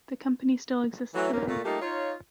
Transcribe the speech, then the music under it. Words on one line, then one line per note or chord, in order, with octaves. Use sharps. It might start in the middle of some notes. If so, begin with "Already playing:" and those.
The company still exists today.
E3 F#3 A3
D#2 A#3 C#4
A#2 A3
G3 A3 A#3 D#4 F4 G4
D#4 F4 C#5